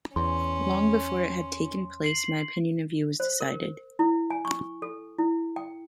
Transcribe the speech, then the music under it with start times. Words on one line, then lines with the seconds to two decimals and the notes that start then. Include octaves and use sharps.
Long before it had taken place my opinion of you was decided.
0.16 E2 C#4 C6
2.04 C7 F#7
3.20 C5
3.41 A#4
3.99 E4
4.30 G#5
4.45 C#6
4.82 A4
5.19 E4
5.56 G5